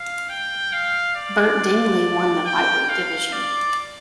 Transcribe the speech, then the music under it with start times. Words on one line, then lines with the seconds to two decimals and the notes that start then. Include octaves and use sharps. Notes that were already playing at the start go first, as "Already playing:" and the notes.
Bert Dingley won the lightweight division.
Already playing: F5
0.29 G5
0.72 F5
1.15 D5
2.45 G5
2.89 F5
3.32 D5